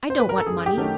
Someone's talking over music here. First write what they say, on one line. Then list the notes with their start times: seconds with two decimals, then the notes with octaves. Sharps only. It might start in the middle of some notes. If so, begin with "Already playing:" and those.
I don't want money.
0.10 C5
0.20 B4
0.29 A#4
0.38 A4
0.46 F#2 G#4
0.66 G4
0.77 D#3 F#3 A3 C#4